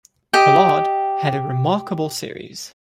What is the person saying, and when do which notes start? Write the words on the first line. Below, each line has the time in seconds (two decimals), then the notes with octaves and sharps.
Pollard had a remarkable series.
0.33 G4 D#5 G5